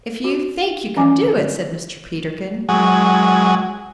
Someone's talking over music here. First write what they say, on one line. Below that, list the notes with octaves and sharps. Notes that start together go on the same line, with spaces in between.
"If you think you could do it," said Mr. Peterkin.
F#4
E3 C#4 F5 G#5 D6
D3
F#3 G#3